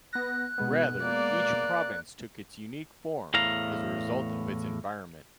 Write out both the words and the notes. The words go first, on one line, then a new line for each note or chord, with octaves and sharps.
Rather, each province took its unique form as a result of its environment.
B3 F#6 A#6
B2 G#3 B3
A#3 D5
E2 A2 F5 A#5